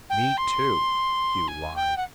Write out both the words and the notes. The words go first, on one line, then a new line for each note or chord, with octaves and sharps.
"Me, too," Hugh lied.
G5
C6
G#5
G5
F#5